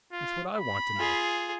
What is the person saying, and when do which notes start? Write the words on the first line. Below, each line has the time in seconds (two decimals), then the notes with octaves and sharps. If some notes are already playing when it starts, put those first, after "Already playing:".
'That's what I want to know.
0.12 F4
0.55 B5
0.96 F4 G#4